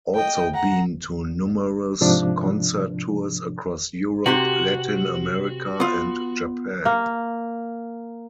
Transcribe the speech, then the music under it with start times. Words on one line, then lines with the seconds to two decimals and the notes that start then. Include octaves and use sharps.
Also been to numerous concert tours across Europe, Latin America and Japan.
0.15 D#5 G5
0.54 F#5 A#5
2.01 G#2 C3 F3 D4
4.26 C3 F#4 G4 C6
5.80 B3 F4
6.85 A#3